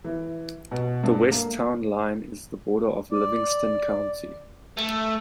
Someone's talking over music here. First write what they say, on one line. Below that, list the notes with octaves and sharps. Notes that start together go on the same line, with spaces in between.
The west town line is the border of Livingston County.
E3
B2
G2
A#3
D5
A3